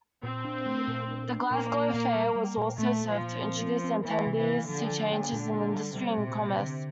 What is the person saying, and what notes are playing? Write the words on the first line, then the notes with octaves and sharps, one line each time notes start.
The Glasgow Fair also served to introduce attendees to changes in industry and commerce.
A#2 C4
D4
A3
A#2
D4
D4
A#2 A#3
A#2
A#2
G3
G3
A#2
A#2 A3
A#2
F3
A#2
C4
C4
C4
E3 A#3
C3
E3
A#3
D3 F3
F3
A#3
A#2 D3
A#2
G3
C3 G3
A#2
A#2
D3